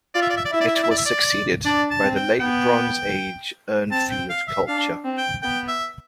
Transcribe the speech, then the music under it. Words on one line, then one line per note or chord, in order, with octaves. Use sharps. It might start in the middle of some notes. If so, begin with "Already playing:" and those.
It was succeeded by the Late Bronze Age Urnfield culture.
F4 D5
E5
D5
E5
D5
E4 E5
D5
E5
D5
E5
D5
E5
D5
D4 D5
A5
C4
G5
B3 G5
C4 A5
G5
F5
E5
D4 F5
C4
G5
B3 G5
E5